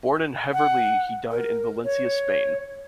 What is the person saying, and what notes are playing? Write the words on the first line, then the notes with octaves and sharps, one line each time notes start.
Born in Heverlee, he died in Valencia, Spain.
F#5
A#4
C#5